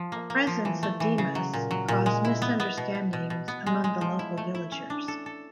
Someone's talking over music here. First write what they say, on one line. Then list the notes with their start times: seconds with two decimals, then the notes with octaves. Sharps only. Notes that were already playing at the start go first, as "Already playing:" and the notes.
The presence of Dimas caused misunderstandings among the local villagers.
Already playing: F3
0.12 A#3
0.30 A#3
0.47 F3
0.65 E3
0.83 A3
1.00 E3
1.18 C#3
1.35 F#3
1.53 A#2
1.71 F#3
1.88 A#2
2.06 G#3
2.25 E4
2.42 B3
2.60 B3
2.77 B2
2.95 B2
3.13 B2
3.30 B2
3.48 B3
3.66 G#3
3.84 G#3
4.01 F3
4.19 E4
4.38 A3
4.55 E4
4.72 C#4
4.90 D4
5.08 A4
5.26 A4